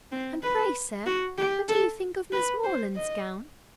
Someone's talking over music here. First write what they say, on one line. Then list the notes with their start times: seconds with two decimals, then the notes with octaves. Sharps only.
"And pray, sir, what do you think of Miss Morland's gown?"
0.12 C4
0.43 B4
1.06 F#4
1.38 G4
1.69 A4
2.32 B4
2.64 C5
2.95 D#5